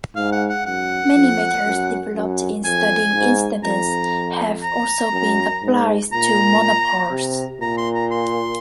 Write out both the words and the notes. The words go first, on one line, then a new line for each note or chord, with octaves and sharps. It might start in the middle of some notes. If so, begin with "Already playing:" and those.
Many methods developed in studying instantons have also been applied to monopoles.
G#2 F5
F#5
F#5
F#2 F#5
F2
F#2
F#2
F2 G#5
G#2
F2 A#5
A#5
F#2
G#2
A#2 A#5
C3
A#2 A#5
C6
A#5
C6